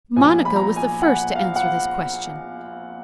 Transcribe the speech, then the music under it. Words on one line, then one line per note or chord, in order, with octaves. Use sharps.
Monica was the first to answer this question.
A#1 A#2 F3 B3 G#5
B5
A#5
G#5
F#5
G#5
F5
F#5